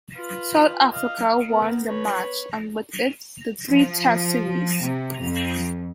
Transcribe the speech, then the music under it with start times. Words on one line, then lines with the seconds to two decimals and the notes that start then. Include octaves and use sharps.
South Africa won the match, and with it the three-Test series.
0.16 F4 B4
0.93 D#5 F5
1.49 B3 A#4
1.88 B4 C#5
3.71 F3
4.82 C3
5.22 F2